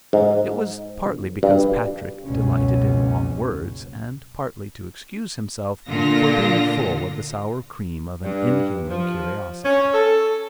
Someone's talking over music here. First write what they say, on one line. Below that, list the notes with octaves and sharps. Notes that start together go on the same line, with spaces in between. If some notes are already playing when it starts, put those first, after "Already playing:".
It was partly because Patrick delighted in long words, and partly to excuse himself for being full of the sour cream of an inhuman curiosity.
G#2
G2
F#1 C#2 B2 C#4
A#2 D3 F4 A#6
G2
F3
C#4
A4